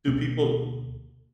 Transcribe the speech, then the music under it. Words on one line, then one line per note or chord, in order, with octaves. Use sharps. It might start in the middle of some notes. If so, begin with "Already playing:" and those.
do people
D2 B2 A#3